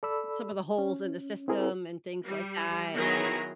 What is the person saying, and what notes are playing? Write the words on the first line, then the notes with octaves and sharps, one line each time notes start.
some of the holes in the system and things like that, and,
A4 D5 B5 E6
C#4
C4 E4 G#4 A#4 C5
G3
D#3 F#3 B3 E4 G#4 A#5